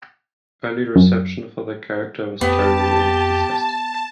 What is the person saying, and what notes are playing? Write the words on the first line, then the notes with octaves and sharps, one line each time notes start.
Early reception for the character was generally enthusiastic.
F#2
F2 B3 G4 A5